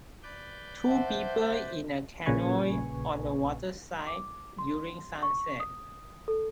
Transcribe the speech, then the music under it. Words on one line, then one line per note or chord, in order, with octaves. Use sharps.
Two people in a canoe on the waterside during sunset.
B4 D5 G6
C5 E5 F#5 A5
A#1 A#2 C#3 B4 G#5 C#6
D6
C6
C#6
D#6
A4